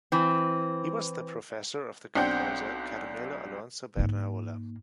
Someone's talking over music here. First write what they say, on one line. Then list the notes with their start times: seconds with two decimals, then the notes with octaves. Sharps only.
He was the professor of the composer Carmelo Alonso Bernaola.
0.12 E3 C4
2.15 B1 C4 D4 F#5 G5 G6
3.97 G#2 A#3